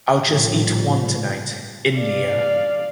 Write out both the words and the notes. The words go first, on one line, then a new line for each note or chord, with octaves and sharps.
I’ll just eat one tonight, India.
A#1 A2 F3 G3
D5 F5